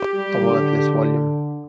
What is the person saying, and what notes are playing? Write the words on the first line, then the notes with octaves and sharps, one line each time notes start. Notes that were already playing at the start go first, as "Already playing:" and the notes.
A worthless volume!
Already playing: G4
G3
D3